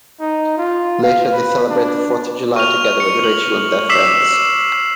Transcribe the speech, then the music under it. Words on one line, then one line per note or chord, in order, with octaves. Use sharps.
Later they celebrate the Fourth of July together with Rachel and their friends.
D#4
F4
F5
B4
D4
C#6 F6 F7
C#7
F#7
D6 E6 B6 C7 E7 F#7